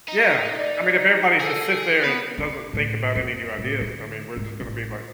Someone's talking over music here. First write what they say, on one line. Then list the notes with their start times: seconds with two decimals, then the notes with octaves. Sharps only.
Yeah. I mean if everybody's just sits there and doesn't think about any new ideas, I mean, we're just gonna be like
0.08 D#4
0.57 D5
1.41 G#4 A4
2.04 B3 B4
2.37 D4
2.73 A2
3.15 F2
3.58 A2
3.81 D3
4.36 G#2
4.60 A1